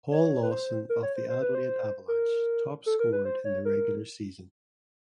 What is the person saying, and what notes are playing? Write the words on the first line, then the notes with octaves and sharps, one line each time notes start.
Paul Lawson of the Adelaide Avalanche top scored in the regular season.
C#5
B4
C5
A#4
C#5
C5
C5
B4
C5
A#4
A4
A#4
B4
C5
C#5
A#4